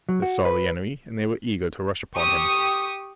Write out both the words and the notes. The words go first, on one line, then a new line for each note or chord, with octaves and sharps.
They saw the enemy and they were eager to rush upon him.
F#3
F#4
B4
G4 C#6 D#6